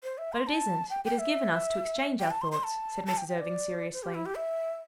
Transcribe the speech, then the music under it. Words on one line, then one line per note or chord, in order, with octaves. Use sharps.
"But it isn't--it is given us to exchange our thoughts," said Mrs. Irving seriously.
C5
E5
C6
A5
G5
G5
E5
G5
A5
C6
C6
A5
A5
G5
G5
D5
C5
G4
E4
G4
E5